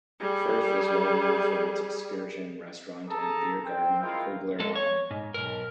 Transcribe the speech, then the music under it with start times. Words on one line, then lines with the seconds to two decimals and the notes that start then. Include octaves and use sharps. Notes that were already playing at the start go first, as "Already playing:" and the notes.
Furth is well known for its excursion restaurant and beer garden Kugler Alm.
0.20 G3 G#4
3.09 G#4 A4 A5 A#5
3.65 C4 G5
4.01 G#3 E4 F4 A#4 F5 G5
4.60 G#3 A4
4.75 C#5
5.11 G#2
5.34 B1 A#4